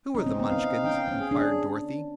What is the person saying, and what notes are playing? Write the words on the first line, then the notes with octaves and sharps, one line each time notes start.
"Who are the Munchkins?" inquired Dorothy.
C#4 D#4
C4
B3
C4 F5
C#4 G5
C#4
G#4
D4